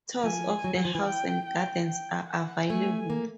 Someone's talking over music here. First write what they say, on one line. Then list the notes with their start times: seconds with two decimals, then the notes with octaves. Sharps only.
Tours of the House and Gardens are available.
0.24 F3 G#5
0.64 F#3
0.75 F#3
0.85 F3
0.95 E3
1.05 G5
1.46 G5
1.87 G5
2.28 F#5
2.69 A3 G#5
3.10 A#3